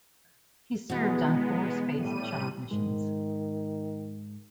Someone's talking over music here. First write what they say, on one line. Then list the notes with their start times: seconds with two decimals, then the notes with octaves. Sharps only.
He served on four Space Shuttle missions.
0.90 B2 E3 G#3 B3
1.97 A2 G3 D#7
2.71 G#2 D#3 G#3